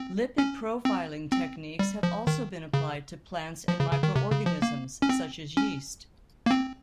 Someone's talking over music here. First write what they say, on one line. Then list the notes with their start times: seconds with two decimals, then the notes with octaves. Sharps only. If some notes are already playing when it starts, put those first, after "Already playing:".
Lipid profiling techniques have also been applied to plants and microorganisms such as yeast.
Already playing: C4
0.38 C#4
0.85 C4
1.32 C4
1.79 G3
2.03 F3
2.27 D#3
2.74 C#3
3.68 F3
3.80 C#3
3.92 C#3
4.03 D#3
4.16 C3
4.31 C#3
4.46 F3
4.62 A#3
5.02 C#4
5.09 C4
5.57 C#4
6.46 A#3
6.51 C4